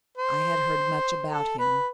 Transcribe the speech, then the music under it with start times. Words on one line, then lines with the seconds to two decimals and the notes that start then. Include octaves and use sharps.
I had heard much about him.
0.17 C5
1.30 A4
1.59 B4